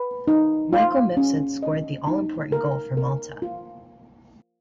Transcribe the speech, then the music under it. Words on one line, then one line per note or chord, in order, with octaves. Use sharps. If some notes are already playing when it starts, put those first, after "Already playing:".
Michael Mifsud scored the all important goal for Malta.
Already playing: B4
D#4
F4
C#4
D#5
D#4
A#4
A#4
F4